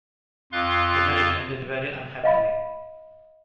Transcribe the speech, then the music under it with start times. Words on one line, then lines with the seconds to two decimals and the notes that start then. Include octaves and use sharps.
The marriage ended very unhappily.
0.52 F2 F4 F5 C6 F#6
2.24 D#5 F5 B5